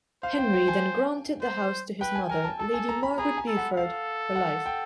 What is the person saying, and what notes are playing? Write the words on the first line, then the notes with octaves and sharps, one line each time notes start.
Henry then granted the house to his mother Lady Margaret Beaufort, for life.
C5 F5
G5
G5
G#5
C5
B4 G5
G#5
A#4 G#5
A5
A4 A5
G#5
A#5
B5
G#4 A#5
G#5
A4
F#5
A4 F5
F#5
G5